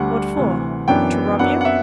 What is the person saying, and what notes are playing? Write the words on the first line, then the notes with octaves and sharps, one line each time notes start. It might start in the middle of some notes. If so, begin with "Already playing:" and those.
"What for--to rob you?"
Already playing: D2 D3 G3 D4 F#5
D2 C3 E3
F#2 E3 B3 D4 G5
F#2 F#3 B3 D4 F#5
F#5
E5